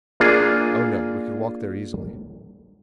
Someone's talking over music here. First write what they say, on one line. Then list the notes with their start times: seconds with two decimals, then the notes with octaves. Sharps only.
"Oh, no, we could walk there easily."
0.20 A#3 D4 F4 G#4